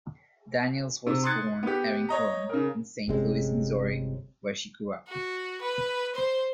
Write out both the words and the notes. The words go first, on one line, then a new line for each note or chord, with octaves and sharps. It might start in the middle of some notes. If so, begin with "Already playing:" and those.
Daniels was born Erin Cohen in Saint Louis, Missouri, where she grew up.
C3
C6 D#6 F#6 G#6 A6 C#7
B3 G4
C#5 D#5 A#5
C#3 A#4
G1 C3 G#3 C#4
F#4
B4
C5